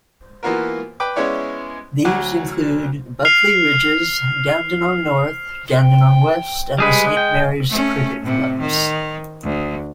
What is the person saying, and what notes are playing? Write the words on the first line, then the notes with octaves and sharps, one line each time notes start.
These include Buckley Ridges, Dandenong North, Dandenong West, and the Saint Mary's Cricket Clubs.
E3 A#3 B3 F4 F#4 A#4
B4 G5 B5 D6
G#3 B3 C#4 E4 C#5 D5
D2 F#3 F#4 D6
F6 C7 F7
G5
G3 G#3 G#4 B4
G5
A3 C#4
A2 C3
D#3
D2